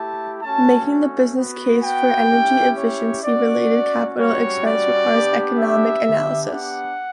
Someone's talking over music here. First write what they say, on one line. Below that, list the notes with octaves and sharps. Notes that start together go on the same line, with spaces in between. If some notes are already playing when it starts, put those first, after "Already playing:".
Making the business case for energy efficiency-related capital expense requires economic analysis.
Already playing: A3 E4 G4 A5
A3 C#4 F#4 A5
B3 F#4
G5
C#4 E4 G4
C#5
C#4 F#4 D5
G3 C#4 F#4 C#5
D5
B3 D4 G4
E5
B3 D4 G4
F#5